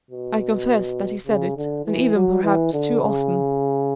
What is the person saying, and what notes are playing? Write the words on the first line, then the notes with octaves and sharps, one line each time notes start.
"I confess that he said it, and even perhaps too often."
B2
C#3
D3
E3
F#3
E3
D3
C#3